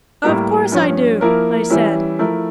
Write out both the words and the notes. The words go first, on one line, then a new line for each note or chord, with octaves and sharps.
"Of course I do," I said.
A2 G3 A#3 E4 A#4
G2 F3 C#4
F3 A#3 E4 A#4
E3 G3 C#4 E4
F3 A3 E4 A#4